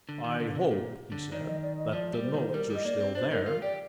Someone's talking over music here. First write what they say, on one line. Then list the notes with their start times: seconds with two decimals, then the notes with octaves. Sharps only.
"I hope," he said, "that the notes are still there?"
0.09 D3
0.24 D#3
0.40 D3
0.55 C3
0.71 A#2
1.12 D3
1.32 D#3 D5
1.47 D#5
1.62 D5
1.78 D#5
1.93 F3 D5
2.13 G3
2.23 C5
2.34 D#3
2.49 C5
2.54 G3 A#4
2.70 G3 D#5
2.85 A#3 D5
3.00 C4
3.15 D4 C5
3.31 D#4 A#4
3.46 F4 A#4
3.62 G4 D5